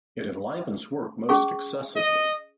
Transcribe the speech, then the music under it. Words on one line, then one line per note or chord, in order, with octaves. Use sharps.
It enlivens work most excessively.
C#4 G#4 C#6
D#5